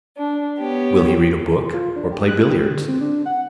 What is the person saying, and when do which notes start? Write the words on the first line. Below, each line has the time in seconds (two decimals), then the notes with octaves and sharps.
Will he read a book or play billiards?
0.15 D4
0.58 B3 G4 C#5
1.74 F4
1.96 D4
2.12 G4
2.28 F#6
2.50 G4
2.69 D3
2.88 C4
3.01 D4
3.26 F#5